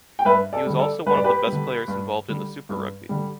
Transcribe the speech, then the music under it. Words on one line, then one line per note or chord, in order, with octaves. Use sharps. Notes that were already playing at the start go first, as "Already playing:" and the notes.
He was also one of the best players involved in the Super Rugby.
G5
G2 B4 E5
A4 D5
D3 G3
A4 D5
G2 B4
D5
G4 B4
G3
D3
G2
D3 G3
G2
D3 G3